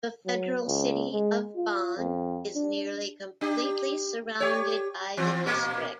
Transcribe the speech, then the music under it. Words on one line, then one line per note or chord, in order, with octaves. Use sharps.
The federal city of Bonn is nearly completely surrounded by the district.
F#3
C#2
G#3
F4
F2
D4
D4 G4
G4 C#5
E3 F3 C4
A#2 A#3